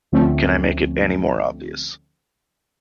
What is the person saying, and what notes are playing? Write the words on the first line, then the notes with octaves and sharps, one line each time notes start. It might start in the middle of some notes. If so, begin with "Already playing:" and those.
Can I make it any more obvious?
D2 D3 F3 A3 C4 C#4